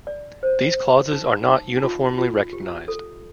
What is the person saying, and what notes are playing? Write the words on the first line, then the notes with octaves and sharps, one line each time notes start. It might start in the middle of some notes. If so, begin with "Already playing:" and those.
These clauses are not uniformly recognized.
D5
C5
D#4
D#4
D#4
F4
F4
G4
A4